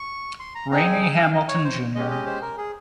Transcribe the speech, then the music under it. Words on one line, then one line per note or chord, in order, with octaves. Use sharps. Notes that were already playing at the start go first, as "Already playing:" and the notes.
Rainy Hamilton Jr.
Already playing: C#6
C6
A#5
C4 D#4 G#4 A#5
G#5
G#5
F5
D#5
C#5
C5
G#3 C#4 G4 D#5
D#5
C5
A#4
G#4